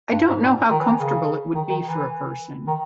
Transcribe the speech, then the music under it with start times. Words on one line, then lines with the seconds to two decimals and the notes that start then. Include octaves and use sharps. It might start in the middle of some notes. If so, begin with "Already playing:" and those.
I don’t know how comfortable it would be for a person.
0.13 G2
0.28 G#2
0.42 A#2
0.70 D#3
0.80 E3
0.88 D#3
0.98 C#3
1.55 D#3
1.69 D#3
1.84 E3
2.67 D#3